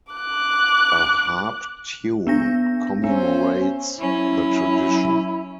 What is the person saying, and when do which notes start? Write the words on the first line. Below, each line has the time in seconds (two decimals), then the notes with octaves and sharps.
A harp tune commemorates the tradition.
0.13 D6 F#6
2.27 B3 D4 A#6
3.04 B3 C#4 C5
3.98 F#3 C#4 E4